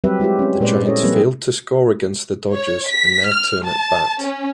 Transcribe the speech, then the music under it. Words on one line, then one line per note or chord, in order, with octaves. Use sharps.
The Giants failed to score against the Dodgers in their turn at bat.
F#3 G3 C4 G4 B4 E5
G#3 E4 F4 G4
C4 C#4
A#2 G#3 B4 C5 D5
C#4 E4 A4 C#5 D#5
F3 G3 A#3 C4 G#4 B4
C#5
B6
F6
A5
C#4